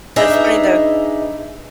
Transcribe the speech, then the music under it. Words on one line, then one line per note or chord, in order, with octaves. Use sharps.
That's funny, though.
D4 D#4 G#4 B4 D#5 E5